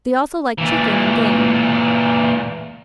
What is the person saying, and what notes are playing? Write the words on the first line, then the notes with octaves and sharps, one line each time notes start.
They also like chicken and game.
A#2 E3